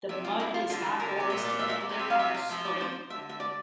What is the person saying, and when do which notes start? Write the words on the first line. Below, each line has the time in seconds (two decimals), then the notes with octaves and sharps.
The mud is not always dependent on the spring.
0.09 C3 E5
0.25 F4
0.40 E4
0.54 F4
0.69 D3 F4
0.80 E3
0.90 D3
1.00 D3 A#4
1.15 C3 D5
1.30 A#2 E5
1.45 D5
1.59 E5
1.69 E5
1.80 D5
1.90 C3 C5
1.99 E5
2.10 F5
2.19 E5
2.35 F5
2.49 F3 E5
2.65 D5
2.81 C5
3.10 D3 E5
3.29 E5
3.40 D5